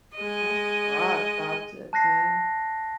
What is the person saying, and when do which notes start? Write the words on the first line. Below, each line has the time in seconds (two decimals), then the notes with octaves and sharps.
That's a broad subject, man.
0.17 G#3 D#5
1.93 A5 F#6 A#6 C7